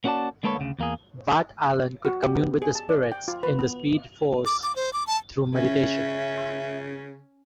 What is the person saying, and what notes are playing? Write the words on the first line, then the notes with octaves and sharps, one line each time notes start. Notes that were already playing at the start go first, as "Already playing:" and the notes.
Bart Allen could "commune" with the spirits in the Speed Force through meditation.
A#3 C#4 F#4 G#4 D5 A5
D3 G#3 A#3 A4 B4 C#5
D2 C#3
E2 A#3 G#4
F#4
G4
B3
G#4
A5
D5
G5
F4
B4
B3
D6
D6
C5
D6
A5
C#3 C#4 E5